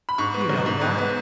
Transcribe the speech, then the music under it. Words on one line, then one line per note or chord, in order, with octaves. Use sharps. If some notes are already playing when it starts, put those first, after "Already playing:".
You know that.
B5
G#2 C#6
B3
F#3
G#2
G#2
B3